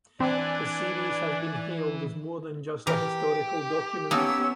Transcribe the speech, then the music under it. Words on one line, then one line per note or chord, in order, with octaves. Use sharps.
The series has been hailed as more than just a historical document.
E3 C4 D4 D5 G#5 F#6
E3 G4 A#4
A#3 B3 C#4 D#4 A4 E6